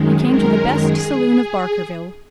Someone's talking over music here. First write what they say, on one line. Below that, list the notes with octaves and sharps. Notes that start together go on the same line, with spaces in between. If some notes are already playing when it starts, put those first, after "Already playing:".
He came to the best saloon of Barkerville.
Already playing: F#2 D#3 G#3
A#4
G#4